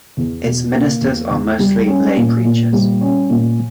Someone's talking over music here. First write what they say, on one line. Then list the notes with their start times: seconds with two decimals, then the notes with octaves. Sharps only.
Its ministers are mostly lay preachers.
0.17 E2
0.44 B2
0.73 A#3
1.01 E2
1.30 E2
1.59 G3
1.88 C#4
2.16 A#2
2.44 A#2
2.73 G3
3.01 C#4
3.30 A#2